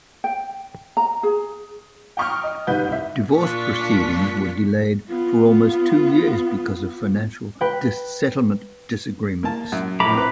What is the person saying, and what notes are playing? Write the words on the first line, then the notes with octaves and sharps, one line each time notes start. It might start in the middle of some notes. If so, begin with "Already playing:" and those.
Divorce proceedings were delayed for almost two years because of financial settlement disagreements.
G5
A#5
G#4
G5 A#5 C#6 D#6 F6
D#5
F#1 D#3 G3 B4 F#5 G6
C2 E5
A#2 D4 F4 C#6 B6
B3 F4
B4 G5
A#3 A5
F#2
A#1 A2 A#5 B5 D6
C4 B4